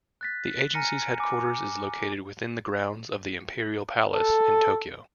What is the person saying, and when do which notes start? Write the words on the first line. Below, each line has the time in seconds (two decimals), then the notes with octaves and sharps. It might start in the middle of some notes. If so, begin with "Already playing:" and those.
The agency's headquarters is located within the grounds of the Imperial Palace in Tokyo.
0.21 F#6 A6 B6
0.74 G#5 A#5 F6 A#6 C#7 D#7
1.20 G#5 D6
4.13 A4